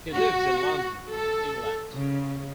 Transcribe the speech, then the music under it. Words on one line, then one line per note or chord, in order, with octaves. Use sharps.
He lives in London, England.
F#4
A4
C#3